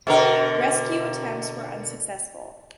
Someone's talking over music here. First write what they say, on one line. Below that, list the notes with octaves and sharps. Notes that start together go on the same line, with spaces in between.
Rescue attempts were unsuccessful.
B2 D3 A#4